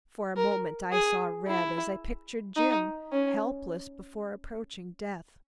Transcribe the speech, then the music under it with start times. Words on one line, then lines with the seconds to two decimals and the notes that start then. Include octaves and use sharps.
For a moment I saw red as I pictured Jim, helpless before approaching death.
0.37 A#4
0.92 G#4
1.47 E4
2.57 D#4
3.12 C#4